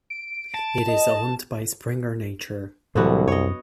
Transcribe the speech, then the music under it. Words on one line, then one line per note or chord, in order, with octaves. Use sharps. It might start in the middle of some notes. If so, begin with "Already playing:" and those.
It is owned by Springer Nature.
D7
A5
D#5
C2 A2 D3 E3 F#3 B3 F#4
F#2 C#5 D#5